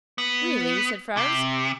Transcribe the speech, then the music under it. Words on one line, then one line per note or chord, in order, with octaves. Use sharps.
"Really?" said Franz.
B3
C3